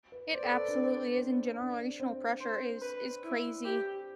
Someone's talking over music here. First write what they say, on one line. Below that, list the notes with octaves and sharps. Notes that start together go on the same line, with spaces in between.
It absolutely is, and generational pressure is is crazy.
B4
C5 D5
A4
B4
D4
C4
C4
D4
C4
C5
B4
E4
G4